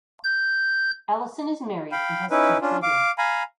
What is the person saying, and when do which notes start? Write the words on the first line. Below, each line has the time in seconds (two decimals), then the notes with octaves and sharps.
Ellison is married and has two children.
0.24 G6
1.92 F5 G5 B5
2.30 C#4 D#4 E4 B4
2.61 C#4 D4 F4
2.82 F5 D6
3.18 F5 G#5 A#5 B5